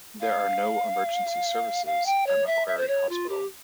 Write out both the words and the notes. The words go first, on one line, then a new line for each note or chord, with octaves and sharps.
There are no emergency services at Macquarie Hospital.
F5
F5
G5
C#5
E5
E5
C5
C#5
F4
G4